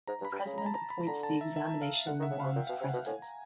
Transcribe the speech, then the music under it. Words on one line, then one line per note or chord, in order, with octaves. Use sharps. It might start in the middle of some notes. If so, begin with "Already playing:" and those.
The President appoints the Examination Yuan's President.
G#2 A#5
G2
B5
G2
C#3
A#5
A5
A#5
B5
D3 A#5
A5
E5
E5
F5
D3 F#5
D#3
E5
C#3
C3 F5
A#2 G5
B2 F5
F#5
C3
B2 F#5
A2 G#5
A#5